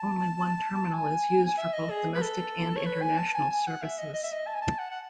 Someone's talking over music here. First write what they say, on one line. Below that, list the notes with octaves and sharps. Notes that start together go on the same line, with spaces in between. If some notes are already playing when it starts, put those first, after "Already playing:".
Only one terminal is used for both domestic and international services.
Already playing: A5
G#5
E5
D#5
G#4
B4
A4
C#5
B4
G#5
A5
G#5
G#5
F#5
E5
D#5
D#5
E5
D#5
A5
G#5
A5
F#5
F#5